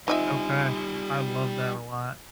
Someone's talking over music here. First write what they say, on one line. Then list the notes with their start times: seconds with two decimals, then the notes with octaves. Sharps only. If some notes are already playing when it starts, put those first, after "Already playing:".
Okay. I love that a lot.
0.08 G3 C4 D#4 F4 D#5 E5 G#5